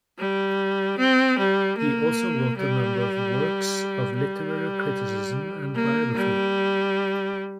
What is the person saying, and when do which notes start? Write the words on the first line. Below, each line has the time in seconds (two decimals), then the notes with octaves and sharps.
He also wrote a number of works of literary criticism and biography.
0.18 G3
0.98 C4
1.38 G3
1.77 A#3
2.57 G3
4.16 G3
5.75 A#3
6.15 G3